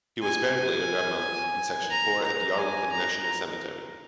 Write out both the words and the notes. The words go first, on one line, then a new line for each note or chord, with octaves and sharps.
He was buried later that month in section four at Arlington National Cemetery.
G#5
A#5
A#5
G#5
A#5